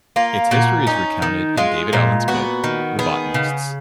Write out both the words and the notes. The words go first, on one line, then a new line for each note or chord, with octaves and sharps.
Its history is recounted in David Allen's book "The Botanists".
A#3 F4
A#2 F#4
C#4 D#4
D#3
G#3 F4
A#2
B3 F#4
D#3
B3 G#4
C#3